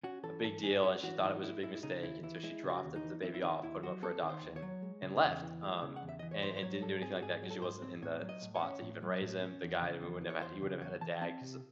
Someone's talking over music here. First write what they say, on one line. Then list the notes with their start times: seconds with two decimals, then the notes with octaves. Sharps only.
a big deal, and she thought it was a big mistake, and so she dropped the the baby off, put him up for adoption, and left, um, and and didn't do anything like that 'cause she wasn't in the the spot to even raise him. The guy who wouldn't have he wouldn't have had a dad 'cause
0.03 C#4 F#4
0.23 E3 A4
0.44 G#2 A4
0.63 G#3 G#4
0.84 C#4 F#4
1.03 E3 F#4
1.23 G#2 D#4
1.43 G#3 E4
1.63 G#3 E4
1.75 E4
1.83 C#3 D#4
2.03 D#2 E4
2.23 E3 E4
2.43 G#3 E4
2.63 C#3
2.70 F#4
2.83 D#2
2.96 D#4
3.03 E3
3.23 C4 E4
3.34 E4
3.43 D#3 D#4
3.63 D#2 E4
3.83 F#3 F#4
4.02 C4 A4
4.23 D#3
4.29 C5
4.42 D#2
4.56 C#5
4.62 F#3
4.82 G#3
5.02 C#3
5.23 E2
5.42 E3
5.63 G#3
5.82 C#3
5.96 F#5
6.03 E2
6.09 E5
6.19 E3 D#5
6.31 C#5
6.42 G#2 C5
6.56 C5
6.62 F#3 C#5
6.82 G#2 A4
7.02 C4 G#4
7.17 F#4
7.22 G#2 G#4
7.42 F#3
7.51 A4
7.62 G#2 C5
7.82 C4
8.02 A2 C#5
8.22 F#3
8.29 D#5
8.42 A2
8.55 C#5
8.62 C#4
8.82 A2
9.02 F#3
9.21 A2
9.42 C#4
9.62 E2
9.82 C#3
10.01 E2
10.21 E3
10.30 C#5
10.41 E2 C5
10.62 C#3
10.81 E2 C#5
11.01 E3 A5
11.21 C4 A5
11.41 C3